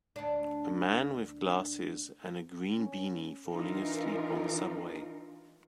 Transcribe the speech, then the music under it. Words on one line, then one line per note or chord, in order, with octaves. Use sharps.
A man with glasses and a green beanie falling asleep on the subway.
D2 D4
C#4
E3 D4 D#4 F4 A#4